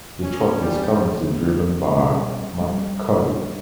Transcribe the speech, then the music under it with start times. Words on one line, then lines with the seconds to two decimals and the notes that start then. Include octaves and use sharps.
The truck is currently driven by Matt Cody.
0.23 C#4
0.61 G3
1.96 B2 G3 C#4
2.61 G3